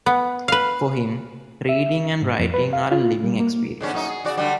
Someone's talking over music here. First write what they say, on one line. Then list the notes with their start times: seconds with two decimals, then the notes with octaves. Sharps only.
For him, reading and writing are a living experience.
0.06 B3
0.48 B4 F5
1.69 E5
2.22 G#2
2.39 F2
2.54 B4
2.73 F5
2.92 F4
3.24 G3
3.40 A#3
3.81 G#2 D3 C#4
3.94 F#2 A#2 D#4
4.08 G#4
4.25 C#3 F#4 D5
4.37 D3 F#3 G3